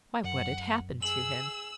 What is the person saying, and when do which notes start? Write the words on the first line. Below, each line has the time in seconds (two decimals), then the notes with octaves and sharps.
Why, what had happened to him?
0.24 F#2 F#5
1.02 G#4 E6 F#7